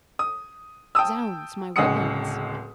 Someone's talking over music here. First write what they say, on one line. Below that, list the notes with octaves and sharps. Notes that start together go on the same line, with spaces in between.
"Zounds! my weapons."
D#6
G5 A5 D#6 E6
D1 C#2 G#3 F#5 D#6 C#7